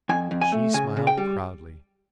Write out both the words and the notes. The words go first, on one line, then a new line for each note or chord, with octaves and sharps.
She smiled proudly.
F2 G#5
F2
G#5
A3
C#3 G#5
C#3
G5
G3